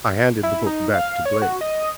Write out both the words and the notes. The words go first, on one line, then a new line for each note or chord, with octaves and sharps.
I handed the book back to Blake.
E4
D#4
F5
C#5
F#4
D#5